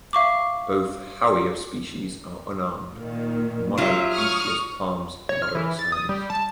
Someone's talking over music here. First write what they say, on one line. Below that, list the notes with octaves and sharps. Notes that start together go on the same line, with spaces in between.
Both "Howea" species are unarmed, monoecious palms of moderate size.
E5 F5 C#6 D6
A#2 D#3
F#3 F4 G4 E5
C#6 D#6 F6
C#5
F6
E3
A6
D#6
G3
A5